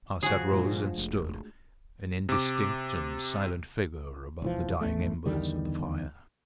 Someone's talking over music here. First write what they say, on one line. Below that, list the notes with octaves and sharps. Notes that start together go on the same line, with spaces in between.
Arsat rose and stood, an indistinct and silent figure above the dying embers of the fire.
C#3 F3 F#4 G#4
A#2 G#3 D4 F4
F1 A3
C3 D6
E1 E3 F3
A1 E2 A3
E2 D3 D#3 G3